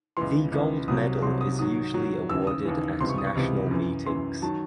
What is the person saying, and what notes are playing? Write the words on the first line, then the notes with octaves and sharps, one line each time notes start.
The gold medal is usually awarded at national meetings.
C#2 C#3 E3 C6
C#2 C#3 E3
C2 C3 F#3 D#6
C2 C3 F#3 C6
D#6
G#2 D#3 F#3 D#6
G#2 D#3 F#3
D#2 C#3 E3 E6
D#6
D#2 C#3 E3
C#2 C3 E3 C6
C#6
D#6
C#6
C#2 C3 E3
F#2 E3
F#2 E3 C6
D#3 F#3 A5